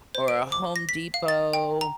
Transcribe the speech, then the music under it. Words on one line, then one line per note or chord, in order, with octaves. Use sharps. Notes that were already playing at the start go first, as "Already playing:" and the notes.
or a Home Depot
C5
D7
D6
A#6
B6
F5
A6
G5
A#5